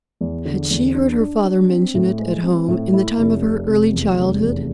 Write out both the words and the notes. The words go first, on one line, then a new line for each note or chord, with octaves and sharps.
Had she heard her father mention it at home in the time of her early childhood?
E2
D3
E2
D4
D4
D4
C4
A2
G#3
C4
A2
E4
F1
C3
F1
E2
F1
E2